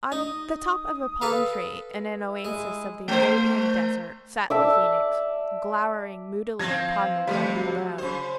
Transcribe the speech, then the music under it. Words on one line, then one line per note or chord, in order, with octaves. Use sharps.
On the top of a palm tree, in an oasis of the Arabian desert, sat the Phoenix, glowering moodily upon the world below.
D#4 D#6
A4 B4 F5
E4
G#3
A3 C5
D5 E5 A5
F3 C4 G#6 A#6
F2 C3 E3 G3 A3
F#3
C#3 C5